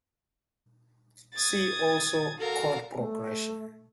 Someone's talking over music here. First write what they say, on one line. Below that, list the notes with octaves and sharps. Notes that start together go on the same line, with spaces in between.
See also Chord progression.
D#6 G#6 A6
F#4 A4 A#4 F5
A3